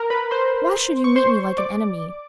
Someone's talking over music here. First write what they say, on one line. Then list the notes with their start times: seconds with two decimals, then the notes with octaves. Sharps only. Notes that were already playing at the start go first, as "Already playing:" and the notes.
Why should you meet me like an enemy?
Already playing: A#4 A#5
0.10 B4 B5
0.31 C5 C6
1.04 C#6
1.16 C5 C6
1.58 D5 D6